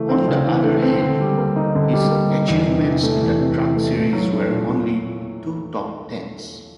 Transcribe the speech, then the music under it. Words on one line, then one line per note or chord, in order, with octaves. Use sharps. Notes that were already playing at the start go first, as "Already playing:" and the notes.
On the other hand, his achievements in the Truck Series were only two top-tens.
Already playing: C#3 E3 A3
C4
C#3
E3
A3
C4
D3
G3
A#3
D#4
D3
G3
A#3
D#4
E2
C3
E3
A3
E2
C3
E3
A3
A#2
F#3
A3
A#2
A#2